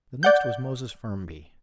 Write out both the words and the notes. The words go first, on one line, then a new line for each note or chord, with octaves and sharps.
The next was Moses Firmby.
D5 F#5 G6